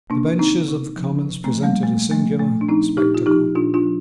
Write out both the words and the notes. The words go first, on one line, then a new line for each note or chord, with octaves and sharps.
The benches of the Commons presented a singular spectacle.
C3 A#3 D4
D#3 C4 D#4
C3
F3
C3
A3 C4
F3
G3 A#3
A#2 A3
F3 A3
A#2 A3
D4
F3 C4 D#4
A#2 D#4 G4
F4
F3 D#4 G4
A#2 D4 F4
D4 F4
F3